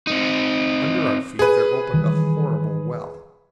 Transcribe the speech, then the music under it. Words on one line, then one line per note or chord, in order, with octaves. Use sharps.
Under our feet there opened a horrible well.
C4 D#4
G#4 B4
D#3 E3 G3